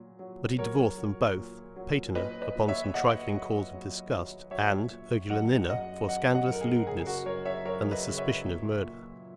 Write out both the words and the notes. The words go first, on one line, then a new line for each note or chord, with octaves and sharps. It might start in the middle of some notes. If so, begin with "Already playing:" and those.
But he divorced them both; Paetina, upon some trifling causes of disgust; and Urgulanilla, for scandalous lewdness, and the suspicion of murder.
Already playing: A#2 F#3
F#3
F#3 A#4 C#5
F#3
A#2
F#3
A#2 B4 D#5
B4 D#5
A#2
C#5 E5
E5
A#2 D#5 F#5
F#3
F#3
F#3
F#3 C#5 E5
A#2
F#2 D#5 F#5
F#2 D#5 F#5
F#2 D#5 F#5
D#5 F#5
F#2 A#4
G#4
A#4
C#3 G#4
G#4
F#4 A#4
F#2 A#4 C#5
C#5 E5
F#2 A#4 C#5
B4 D#5
C#3
C#5 E5
A#2
A#2